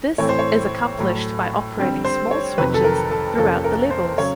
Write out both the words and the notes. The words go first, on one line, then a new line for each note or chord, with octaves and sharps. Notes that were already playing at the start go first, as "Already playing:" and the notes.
This is accomplished by operating small switches throughout the levels.
A2 E3 A3 C4 C#5
C5
C#5
A2 F#3 A3
D3 G3 C4
C5
C#5
F2 C3 D#3 F#3 B4
A4
A#4
A4
F2 C3 F3 A#3 C#4 A4
A#4
C5
C#3 F#3 C#5